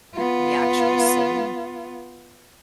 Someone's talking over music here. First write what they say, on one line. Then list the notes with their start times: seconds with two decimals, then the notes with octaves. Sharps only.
the actual city
0.14 B3 F4